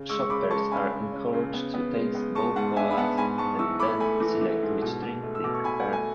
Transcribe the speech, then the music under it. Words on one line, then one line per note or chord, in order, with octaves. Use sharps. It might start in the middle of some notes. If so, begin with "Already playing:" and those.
Shoppers are encouraged to taste both colas, and then select which drink they prefer.
Already playing: C#3
G#3 C#6 E6
C#6
C#3 B5 D6
G#3 A5 C#6
C#3 G#5 B5
C#3
C#4
C#3
B3
B3
G#3
B3
G#3 A5 C#6
G#2 F#5 A5
D4 E5 G#5
B5
B3 F#5 A5
G#2 G#5 B5
G#2 A5 C#6
E3 C#6 E6
A3 B5 D6
A3 G#5 B5
E3
E3
G#2
B2
B2
A3
E6
B2 D6
C#6
B2 G#5 B5
F#5
A3
G#5